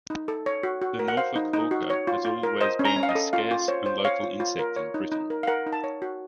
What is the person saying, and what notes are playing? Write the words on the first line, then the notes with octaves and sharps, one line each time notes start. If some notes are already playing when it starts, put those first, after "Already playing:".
The Norfolk hawker has always been a scarce and local insect in Britain.
D#4
A4
C#5
F#4
F#4
A#4
F#5
C5 F5
D#4
D#4
F#4
C#5
F4
F4
A#4
C5 D#5
C#4
A#5
C#4
F5
D#5
A4
F4 F5
F4
C5 C#5
C5
C#5 F5
F4
F4
A#4
C#5
D#4
D#4
A#4
F5
A#4 F#5
D#4
A5
C#5
F#4